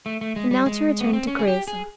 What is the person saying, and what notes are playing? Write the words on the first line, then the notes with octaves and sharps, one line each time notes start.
And now to return to Creusa.
A3
A3
G#3
G3
G#3
B3
C4
C#4
G#4
G4
G#4